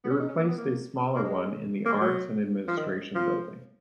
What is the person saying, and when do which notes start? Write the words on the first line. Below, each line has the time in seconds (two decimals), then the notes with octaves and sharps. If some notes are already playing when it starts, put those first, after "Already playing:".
It replaced a smaller one in the Arts and Administration building.
0.04 B3
0.10 C#4
0.20 D#4
0.29 C#4
0.38 A#3
0.48 B3
0.57 A#3
1.16 A#3
1.24 G#3
1.85 A#3
1.93 G#3
2.00 F#3
2.68 F3
2.77 D#3
3.15 F3